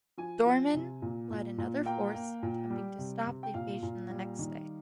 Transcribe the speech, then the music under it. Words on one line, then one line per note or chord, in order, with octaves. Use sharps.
Doorman led another force attempting to stop the invasion the next day.
F3 G#5
F3
C3
A#2
A#2
A#2
A#3 G5
A#3
A#2
G3
C3
C3
G5
A#2 F5
A#2
G3
D#3